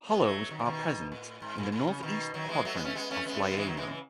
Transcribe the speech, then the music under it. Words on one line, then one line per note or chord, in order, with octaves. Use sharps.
Hollows are present in the northeast quadrant of Flaiano.
G#3 B3
F#3 A3
D#3 F#3
E3
B2 D#3
A2
G#2
A2
A2
C#3
B2 D#3
D#3 F#3
E3 G#3
F#3 A3
G#3 B3
A3 C#4
G#3 B3
A3 C#4
G#3 B3
A3
G#3 B3
A3
E3 G#3
D#3 F#3
E3 G#3
C#3 E3